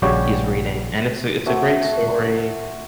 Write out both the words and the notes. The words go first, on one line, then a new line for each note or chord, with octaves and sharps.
he's reading, and it's a it's a great story,
A#1 C#3 G3 F#4 G4 C#5
A3 C4 F#4